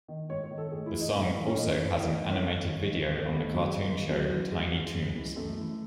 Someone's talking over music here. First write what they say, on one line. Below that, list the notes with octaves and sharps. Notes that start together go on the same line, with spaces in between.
The song also has an animated video on the cartoon show Tiny Toons.
D#3
G#2 C#5
C#5
D#3
A4
A2 G#4
E4
E3
D#4
A2 C#4
E3
C#4
A2 D#4
E3
A2 E4
D#4
E3 D#4
C#4
G#2
D#3
G#2
D#3
G#2 B3
A3
D#3
F#3
G#2 G#3
D#3
F#2 F#3
E3
F#2 G#3
E3
F#2
E3
F#2 A3
E3